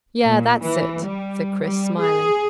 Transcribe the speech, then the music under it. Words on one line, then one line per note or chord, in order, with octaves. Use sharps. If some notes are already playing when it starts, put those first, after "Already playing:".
"Yea, that's it," said Chris, smiling.
A#2
E3
G3
G3
G#4